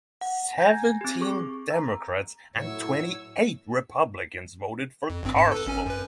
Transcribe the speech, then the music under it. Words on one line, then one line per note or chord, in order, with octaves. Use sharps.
Seventeen Democrats and twenty-eight Republicans voted for Carswell.
F#5
G#5 A#5 G6 G#6 A#6
C4 G4
G#4 C#6 D6
A#5 E6
A2 F#3 E4 C#5 E6
F2
G#1 G2 C4
G#2 A5
A4 B4
G#1 C#4 G#5
F#2 B4